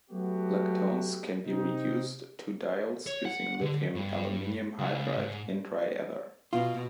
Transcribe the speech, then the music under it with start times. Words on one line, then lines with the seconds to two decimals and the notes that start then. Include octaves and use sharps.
Lactones can be reduced to diols using lithium aluminium hydride in dry ether.
0.11 F#3 A3 B3 F#4 G4
1.45 C3 C4 D#4
3.07 C#5
3.25 F#5
3.61 D3
3.95 G2
4.79 C#2
5.17 G#2
6.53 B2 F4